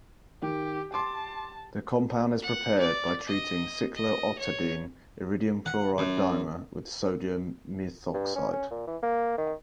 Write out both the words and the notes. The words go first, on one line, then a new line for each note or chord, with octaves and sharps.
The compound is prepared by treating cyclooctadiene iridium chloride dimer with sodium methoxide.
D#3 G4
A5 C6 D6
F#5
D5
D#5
D#5
C#5
F#5
F#2
G2
C#4
C#4
A#2
E3
A#3
D#3